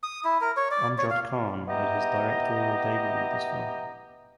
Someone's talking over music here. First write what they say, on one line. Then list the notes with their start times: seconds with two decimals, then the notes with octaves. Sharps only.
Amjad Khan made his directorial debut with this film.
0.03 D#6
0.24 E4
0.41 A#4
0.57 C#5
0.71 D5
0.98 C#5
1.10 F5
1.68 B3 E4 G4 D#5 A#5